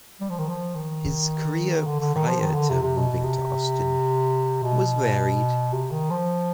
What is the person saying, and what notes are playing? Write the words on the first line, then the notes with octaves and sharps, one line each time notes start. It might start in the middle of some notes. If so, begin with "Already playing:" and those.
His career prior to moving to Austin was varied.
G3
F3
D#3
F3
D#3
D3
D3
D#3
F3
D#3
D3
C3
C3
B2
C3
B2
C3
D#3
F3